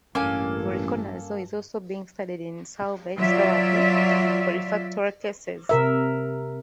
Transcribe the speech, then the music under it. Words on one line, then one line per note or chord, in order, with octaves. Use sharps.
Voriconazole is also being studied in salvage therapy for refractory cases.
A1 G2 A#3 C#4 A4 G#5
F#3 F4 D5 E5
C3 A#4 E5